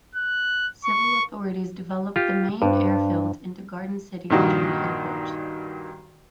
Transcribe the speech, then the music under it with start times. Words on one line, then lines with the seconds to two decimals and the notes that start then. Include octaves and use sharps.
Civil authorities developed the main airfield into Garden City Regional Airport.
0.15 F#6
0.85 C#6
2.16 F4 G4
2.62 G2 D4 C5
4.30 G2 A#2 D#3 F#4